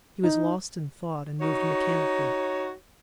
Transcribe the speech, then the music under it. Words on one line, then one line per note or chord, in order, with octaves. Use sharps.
He was lost in thought and moved mechanically.
D#4
D#4 F#4 C#5